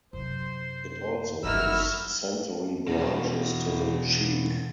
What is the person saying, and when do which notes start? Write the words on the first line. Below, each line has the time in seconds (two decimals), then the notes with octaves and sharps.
It also gives sensory branches to the cheek.
0.13 F#2 C3 C5
1.44 G1 F#2 D#4 E4 F#4 E6 F6
2.87 E2 B2